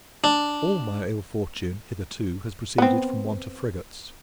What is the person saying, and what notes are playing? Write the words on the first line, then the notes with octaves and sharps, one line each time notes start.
All my ill fortune, hitherto, has proceeded from want of frigates.
D4
B3 C4